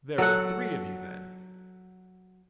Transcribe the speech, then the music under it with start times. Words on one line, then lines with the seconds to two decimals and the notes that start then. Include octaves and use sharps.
"There were three of you, then."
0.18 F#3 A4 F#5